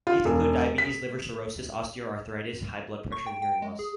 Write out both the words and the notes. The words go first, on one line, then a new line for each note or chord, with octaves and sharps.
These included diabetes, liver cirrhosis, osteoarthritis, high blood pressure, and hearing loss.
F4
E1
B6
C#6
G5
G5
G#3
G#4